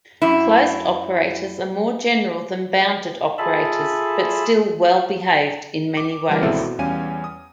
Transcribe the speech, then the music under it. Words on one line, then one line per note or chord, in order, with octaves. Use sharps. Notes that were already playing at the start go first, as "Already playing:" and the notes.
Closed operators are more general than bounded operators but still "well-behaved" in many ways.
F#2 E4
F4 G#4 A4 E5 A5 B5
D6
E3 G3 A#4
G#1 B2 C4 E4 A4 E5
B2
E2 G3 C#4 F5 G#5 D#7
D#6